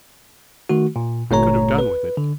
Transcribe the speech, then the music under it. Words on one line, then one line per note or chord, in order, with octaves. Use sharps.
I could have done with it.
D#3 A3 F#4
A#2
G1 A#2 A3 C#5 A#5
B4
D3